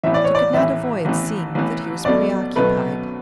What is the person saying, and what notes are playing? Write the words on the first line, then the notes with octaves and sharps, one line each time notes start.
She could not avoid seeing that he was preoccupied.
A1 A2 E3 E5
D5
C#5
D5
A1 A2 E3 E5
A1 A2 E3
A1 A2 E3
B1 B2 A3 D5
B1 B2 A3 B4